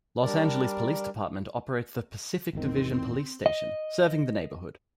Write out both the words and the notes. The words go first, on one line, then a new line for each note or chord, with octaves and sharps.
Los Angeles Police Department operates the Pacific Division Police Station, serving the neighborhood.
G3 D4 A#4 D5
G#1 E2 D#3 C4 C6
D#5